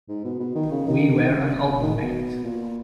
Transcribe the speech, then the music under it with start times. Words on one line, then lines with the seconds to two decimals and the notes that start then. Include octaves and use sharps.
We were an album band.
0.09 G#2
0.25 B2
0.40 B2
0.56 D#3
0.71 C#3
0.88 D#3
1.19 D#3
1.82 D#3
2.02 B2
2.44 A#2